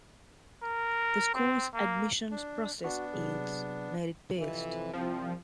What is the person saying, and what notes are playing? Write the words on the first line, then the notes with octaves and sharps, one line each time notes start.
The school's admissions process is merit-based.
A#4
C4
A#3
D4
B3 D4 F#4 F#5 C#6
C3 F#3 G#4
F2 C3 E3
C2 F3 C4